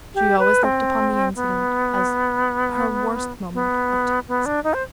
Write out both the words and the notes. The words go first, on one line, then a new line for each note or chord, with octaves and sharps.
She always looked upon the incident as her worst moment of tactlessness.
G4
B4
C4
B3
B3
B3
D4
D#4
C5